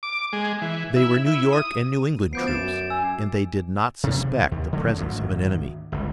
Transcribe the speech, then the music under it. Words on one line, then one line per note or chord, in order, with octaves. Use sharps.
They were New York and New England troops and they did not suspect the presence of an enemy.
D6
G#3
E3
E4
E4
D#6
D2 F3 B3 D6 G6 C7 D7
F#2 A6 E7
G#5 E6
C3
D#2
D3 F#3 G#3 A3
G#1 D2
G1 C#2